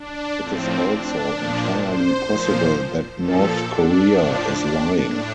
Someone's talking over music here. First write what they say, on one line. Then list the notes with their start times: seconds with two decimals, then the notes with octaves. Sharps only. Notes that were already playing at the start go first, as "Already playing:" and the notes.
It is also entirely possible that North Korea is lying.
Already playing: D4
0.40 A2 F3 C4
0.87 D4
1.33 A#2 F3
1.79 C5
2.25 A#2 F3
3.18 A#2 F3 A4
3.64 D4
4.11 A2 F3
5.03 A2 D4